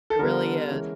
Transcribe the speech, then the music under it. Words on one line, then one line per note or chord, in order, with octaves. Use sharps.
It really is.
A4
D3 G3 B3 A#4
E3 G#3 C#4